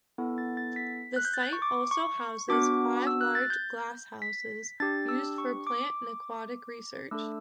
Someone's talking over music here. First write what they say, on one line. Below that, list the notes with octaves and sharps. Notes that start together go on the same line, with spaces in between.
The site also houses five large glasshouses, used for plant and aquatic research.
B3 E4 A4
A6
A6
B6
F#6
G6
A6
C#6
D6
C#6
B3 D4 F#4 D6
E6
F#6
A6
G6
B6
D4 G4 A6
E6
C#6
D6
A3 D4 A4 E6